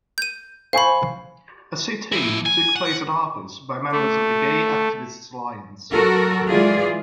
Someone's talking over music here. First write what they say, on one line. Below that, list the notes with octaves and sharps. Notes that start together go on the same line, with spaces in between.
A sit-in took place at "Harper's" by members of the Gay Activists Alliance.
G6 D#7
C5 F5 G#5 B5 C#6
F3 E4
G#5
F#5
A3
F#3 F#4 A4 A#4
E3 G#3 F4 G#4 D5